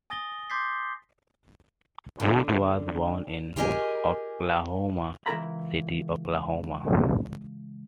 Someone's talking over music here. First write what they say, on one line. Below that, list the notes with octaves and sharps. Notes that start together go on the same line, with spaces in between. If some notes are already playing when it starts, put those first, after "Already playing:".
Woods was born in Oklahoma City, Oklahoma.
G#5 D#6 A6 A#6 G7
C6 D6 G6 A6 B6 C7
D3
F4 G4 G#4 A#4 D#5 G#5
C#2 E3 E4 A#4 A#5 B5